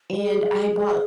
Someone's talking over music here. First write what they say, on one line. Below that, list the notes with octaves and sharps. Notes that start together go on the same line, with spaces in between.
and I bought
G#4